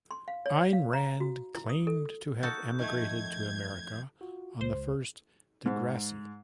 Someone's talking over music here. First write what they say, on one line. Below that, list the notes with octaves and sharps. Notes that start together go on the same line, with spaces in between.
Ayn Rand claimed to have emigrated to America on the first "De Grasse".
C6
F5
C#5
F5
A#5
F#4
E4
D#6
A4
D#4 F#4 A4 G6
F2 D#3 A3 G#6
F4 F#4
C#2 C5
G#2